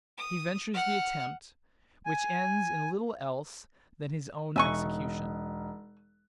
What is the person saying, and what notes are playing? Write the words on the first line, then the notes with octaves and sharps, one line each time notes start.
He ventures the attempt, which ends in little else than his own execution.
D#6
F#5 F6
G#5
E1 D#4 E5 G#5 C#6 F#6